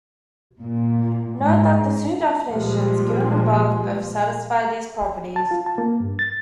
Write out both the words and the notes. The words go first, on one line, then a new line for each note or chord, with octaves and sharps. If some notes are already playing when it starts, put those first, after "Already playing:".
Note that the two definitions given above both satisfy these properties.
A#2
G#2
A#2 F3 G3 G#3
A5
F4
A5
A#3
G2
A6